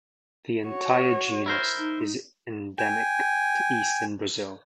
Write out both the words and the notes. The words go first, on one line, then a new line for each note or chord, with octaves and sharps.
The entire genus is endemic to eastern Brazil.
F#4 C#5
E4 A#4 C5
D#4
G5 G#5